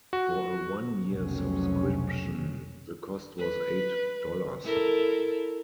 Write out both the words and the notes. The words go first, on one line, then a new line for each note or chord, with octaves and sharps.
For a one-year subscription, the cost was eight dollars.
F#4
F1 C2 F2 B2 F#3 C#4
B4
E4 A4 A#4